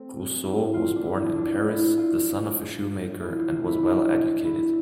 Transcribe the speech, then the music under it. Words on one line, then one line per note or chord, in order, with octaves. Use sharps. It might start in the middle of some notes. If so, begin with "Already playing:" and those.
Rousseau was born in Paris, the son of a shoemaker, and was well educated.
Already playing: A3 C4
E4
F4
D4
E4
D4
E4
F4
E4
F4
F4
E4
D4
E4